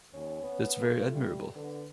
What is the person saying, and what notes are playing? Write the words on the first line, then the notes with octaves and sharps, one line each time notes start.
That's very admirable.
D#2 C#4
B3
A3 F4
G3
D3 B3